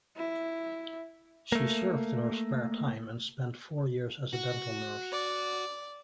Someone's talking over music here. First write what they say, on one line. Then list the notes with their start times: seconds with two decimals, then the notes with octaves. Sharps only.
She surfed in her spare time, and spent four years as a dental nurse.
0.17 E4
1.52 A3 A#3
4.33 F#4
5.12 D5